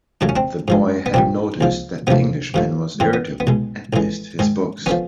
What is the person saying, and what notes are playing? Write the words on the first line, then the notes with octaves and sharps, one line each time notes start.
The boy had noticed that the Englishman was irritable, and missed his books.
D#2 C#3 F#3 A3 D4
C#4
C4 D4
G#2 F3 G#3
B3
A#1 A#2 G3 C4
C#2 C#3 F3
E2 C3 F3 A3 B3
G2 D3 F3 A3
G#2 E3 G#3 C4
B3
B3
B1 B2 G#3
A#1 A2 E3 G#3
G#2 D#3 G#3
D3 F3 B3 C#4